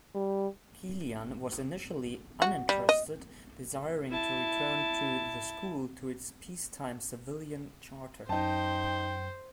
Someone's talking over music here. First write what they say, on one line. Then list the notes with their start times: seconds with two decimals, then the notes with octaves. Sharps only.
Killian was initially uninterested, desiring to return the school to its peacetime civilian charter.
0.15 G3
2.42 F#4
2.69 G3
2.89 D#5
4.10 E4 A5
8.29 F#2 D#4 C5 G5 A5